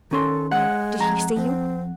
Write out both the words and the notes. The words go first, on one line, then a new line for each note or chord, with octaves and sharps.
"Did he see you?"
D#3 C#4 A4 C6
G#3 F#5
F2 A#5
F2 C4